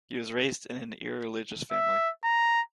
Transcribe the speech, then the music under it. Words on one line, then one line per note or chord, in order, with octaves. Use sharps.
He was raised in an irreligious family.
E5
A#5